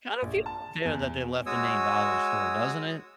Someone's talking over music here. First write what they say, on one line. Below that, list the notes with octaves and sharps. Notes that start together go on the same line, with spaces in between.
Kinda feels unfair that they left the name Dollar store, doesn't it,
A#1
A5
E2
G#3 F#4 C#5 D#6 E6